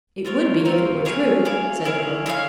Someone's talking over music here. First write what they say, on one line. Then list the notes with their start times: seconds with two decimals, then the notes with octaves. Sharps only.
"It would be, if it were true," said the girl.
0.25 C4 F4 A#4 C#5
0.65 C4 F4 A#4 C#5
1.05 E4 G#4 C#5 F5
1.45 E4 G#4 C#5 F5
1.85 E4 G#4 C#5 F5
2.26 E4 G#4 C#5 F5